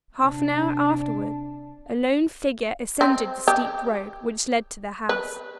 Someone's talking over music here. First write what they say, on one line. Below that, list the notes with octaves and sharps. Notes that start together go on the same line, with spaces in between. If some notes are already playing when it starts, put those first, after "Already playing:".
Half an hour afterward, a lone figure ascended the steep road which led to the house.
C3 D4
C4
G4
B4